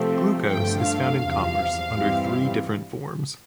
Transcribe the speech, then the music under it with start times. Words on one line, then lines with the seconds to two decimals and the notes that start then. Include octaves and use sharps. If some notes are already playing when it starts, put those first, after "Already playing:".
Glucose is found in commerce under three different forms.
Already playing: C3 F3 A3 C4
0.49 G2 D3 F3 A3 G5
0.85 F5
1.20 E2 C3 F3
1.91 G2 E3 G3 C4